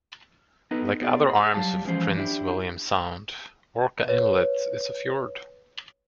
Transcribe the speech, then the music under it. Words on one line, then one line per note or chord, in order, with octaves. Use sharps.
Like other arms of Prince William Sound, Orca Inlet is a fjord.
B3 D#4 A4 B4 D#5
B3 F#4 G#4 D5
G#4
F#3 G3 F5 A5
E3 F3 G#3 C#4 C5
D4 E4 G4
B4 C#5